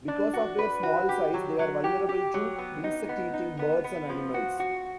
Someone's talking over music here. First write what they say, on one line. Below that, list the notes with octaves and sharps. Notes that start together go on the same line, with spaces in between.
Because of their small size, they are vulnerable to insect-eating birds and animals.
D4
F#4
B4
F#4
G4
F#3
F#3
G4
G4
F#3
B3
D#4
B3
D#4
B3
B3
F3
F#4
F#4